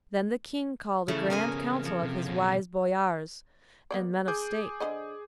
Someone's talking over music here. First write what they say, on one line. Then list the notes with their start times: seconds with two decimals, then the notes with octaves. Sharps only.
Then the King called a grand council of his wise boyars and men of state.
1.08 C#3 E3 A3
1.30 C#3 B3 A#4 D#5 G#5
1.85 F2
2.03 C3
2.26 B2 C#4
3.91 A#3 B3 D5
4.28 G#4 D6 G6
4.80 D3 C5 D#5